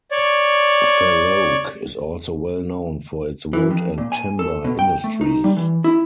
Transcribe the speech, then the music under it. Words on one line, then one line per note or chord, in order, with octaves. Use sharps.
Feroke is also well known for its wood and Timber industries.
C#5 D5
E3
F2
A#2
G#5
A4
B2
G5
A3
D#4
G3
E3
E4